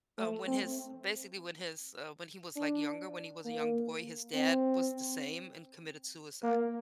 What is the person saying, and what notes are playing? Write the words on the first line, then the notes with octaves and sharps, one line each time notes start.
uh, when his basically when his, uh, when he was like younger, when he was a young boy, his dad was the same and committed suicide.
A3
C4
D4
A#3
C4
A#3